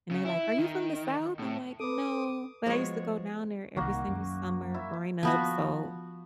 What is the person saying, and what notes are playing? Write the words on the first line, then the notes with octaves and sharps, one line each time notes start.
and they're like, "Are you from the South?" I'm like, "No, but I used to go down there every single summer growing up, so
C#3
E4
D#3
A2
A4 B4 D6 D#6
F3 G#3 B3 F#4 C#5
C2 D#3 A#3 F#4
F#2
E4
F3 B3 F#4